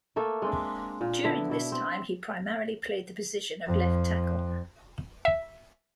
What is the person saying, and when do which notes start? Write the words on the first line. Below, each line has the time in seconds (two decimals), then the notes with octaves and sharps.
During this time, he primarily played the position of left tackle.
0.16 A3 A#3 A4
0.42 G#3 C4 D4
1.01 A#2
1.24 D3 B3 E4
1.50 B2 E4
1.72 C4
3.67 F2
5.25 E5